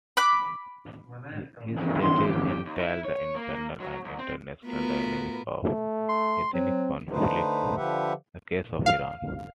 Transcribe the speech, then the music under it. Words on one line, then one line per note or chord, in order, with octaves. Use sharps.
His thesis entitles "Internal and international dynamics of ethnic conflict: the case of Iran".
B5 D6 F#6
D#3
C6
G4
D#2
E4
C#5
A#3
F#3
C2
C4
A3 B3 F4 F#4 A#4 B4
A3
C6
F#3 C4
D3 A3 D#4 B4 C5
D3 F3 G4 B4 E5 F#5
F5